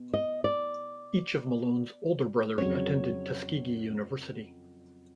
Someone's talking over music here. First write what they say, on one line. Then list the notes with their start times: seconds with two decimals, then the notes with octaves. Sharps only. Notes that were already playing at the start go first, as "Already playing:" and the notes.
Each of Malone's older brothers attended Tuskegee University.
Already playing: B2
0.14 D#5
0.44 D5
2.58 F2 C#3 F#3 C#5